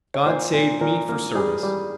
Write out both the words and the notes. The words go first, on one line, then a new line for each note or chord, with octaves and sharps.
God saved me for service.
C#5
A#2 C5
A#2
A#2 A#4
A#3
G3 G#4
G3